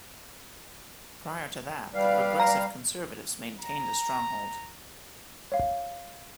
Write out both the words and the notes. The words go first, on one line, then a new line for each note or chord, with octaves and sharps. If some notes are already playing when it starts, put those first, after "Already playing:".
Prior to that, the Progressive Conservatives maintained a stronghold.
G3 B4 D5 F5
A#5
A#5
C#5 F5